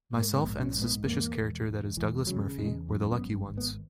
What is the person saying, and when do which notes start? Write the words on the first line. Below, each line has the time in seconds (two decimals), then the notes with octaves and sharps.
Myself and the suspicious character that is Douglas Murphy were the lucky ones.
0.13 G#2 A#3
0.36 B3
0.44 A#1
0.60 C#4
0.75 G#2
0.82 B3
1.05 E2 A#3
1.36 E1
1.66 E1
1.97 E1 E3
2.27 C#3 F#3
2.58 E2 G#3
2.89 F#2
3.12 B3
3.20 G#1
3.50 G#1
3.58 B3